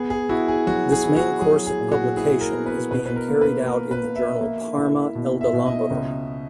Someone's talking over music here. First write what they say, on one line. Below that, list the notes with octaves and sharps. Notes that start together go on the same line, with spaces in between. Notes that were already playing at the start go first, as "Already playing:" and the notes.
This main course of publication is being carried out in the journal Parma Eldalamberon.
Already playing: B3 G#4
G#4
E4 F#4
G#4
F#3 F#4
G#4
E4
F#4
F#3 G#4
G#4
A#2
F#4
E4 G#4
A#4
B3
B4
B2 B4
B4
A#4
A#3
B4
A#3 A#4
B4
A#3
E5
A#3
E4
B2
E5
B2
D#5
C#2